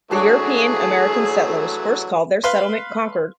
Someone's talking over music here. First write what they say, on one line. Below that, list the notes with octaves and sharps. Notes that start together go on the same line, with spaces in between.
The European-American settlers first called their settlement Concord.
E3 F#3 A3 D4 F#4 G#4 C#5
B4 F5 C6